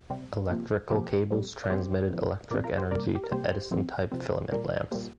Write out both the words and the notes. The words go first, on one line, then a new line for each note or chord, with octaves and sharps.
Electrical cables transmitted electric energy to Edison-type filament lamps.
C3 G3 C4
C3 F3 A#3
C3 F3 A#3 G4 C5
A#2 G3 C4
D5
A#2 G3 C4 G4 C5
A#2 F3 C4
A#2 F3 C4 A#4 D5
F4 A#4
G4 C5
C3 G3 A#3 A#4 D5
G4
A#4
C3 G3 A#3 G4 C5
C3 F3 C4
C3 F3 C4
A#2 G3 A#3 A#4 D5
A#2 G3 A#3 G4 C5